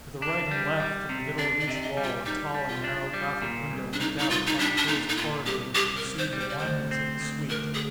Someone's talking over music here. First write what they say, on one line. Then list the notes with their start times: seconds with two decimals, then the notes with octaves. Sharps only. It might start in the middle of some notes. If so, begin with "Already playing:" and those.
To the right and left, in the middle of each wall, a tall and narrow Gothic window looked out upon a closed corridor which pursued the windings of the suite.
0.22 D4
0.51 G3
0.80 G3
1.09 C3
1.38 D4 D5
1.61 D5
1.68 C3 D#5
1.74 D5
1.82 D#5
1.97 G3
2.04 F4
2.26 G3 D#4
2.55 G3
2.69 F4
2.84 D4
3.13 G3
3.42 A#2
3.71 C2
3.93 D4
4.00 C2 D#4
4.19 D#4
4.30 C2 F4
4.47 D#4
4.59 G3 D4
4.77 D4
4.88 A#2 D#4
5.09 D#4
5.17 A#2 F4
5.46 C2 G4
5.74 C2 G4
5.97 A#4
6.04 C2
6.19 C5
6.33 G3
6.41 C5
6.49 D5
6.58 D2 C5
6.91 C4
7.20 D2
7.49 D2 A#4
7.74 G#4